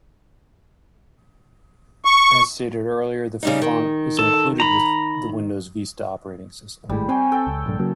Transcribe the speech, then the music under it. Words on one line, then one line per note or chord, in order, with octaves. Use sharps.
As stated earlier, the font is included with the Windows Vista operating system.
C#6
C#3 G3 D#4
D#3
A4
A#5 B5
G#1 A2 G3 G#3
C4 C#5 G5 G#5
A4 G5
C#2
A#1 G2 D3
C#3 F#3 A#3